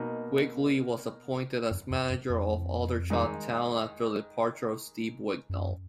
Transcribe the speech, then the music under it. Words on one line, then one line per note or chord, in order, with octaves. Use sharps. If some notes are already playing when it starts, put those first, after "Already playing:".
Wigley was appointed as manager of Aldershot Town after the departure of Steve Wignall.
Already playing: B2 A#3 D#4
F#2
F2
F#2
F2
D#3 G#3 D#4
F#2